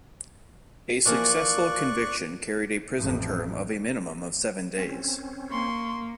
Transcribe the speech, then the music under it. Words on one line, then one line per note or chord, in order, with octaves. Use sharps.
A successful conviction carried a prison term of a minimum of seven days.
E3 F3 A#3 D5 C#6 F#6
A1 F2
C4 C#4
A#3 C6 C#6